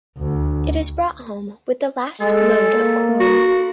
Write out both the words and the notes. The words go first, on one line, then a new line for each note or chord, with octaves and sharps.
It is brought home with the last load of corn.
D2
G#3 A4
A#3
F#4